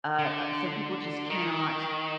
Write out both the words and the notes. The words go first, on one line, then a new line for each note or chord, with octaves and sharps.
uh, some people just cannot
D3
D#3